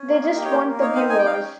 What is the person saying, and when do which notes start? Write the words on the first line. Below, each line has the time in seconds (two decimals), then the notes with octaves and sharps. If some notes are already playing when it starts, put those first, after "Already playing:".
They just want the viewers.
Already playing: C#4
0.08 A#3
0.22 D#4
0.37 G4
0.45 C#5
0.51 A#3 C5
0.66 A#3
0.81 D#4 C#5
0.95 C4 F5
1.09 D#4 G#5
1.18 G5
1.24 D#4 F5
1.34 G5
1.40 C#4